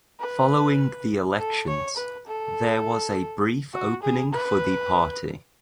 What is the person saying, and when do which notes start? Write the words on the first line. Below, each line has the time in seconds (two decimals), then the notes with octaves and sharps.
Following the elections, there was a brief opening for the party.
0.20 B4
1.38 A4
1.67 C#5
1.97 B4
2.27 A4
3.74 F#4
4.03 G#4
4.33 B4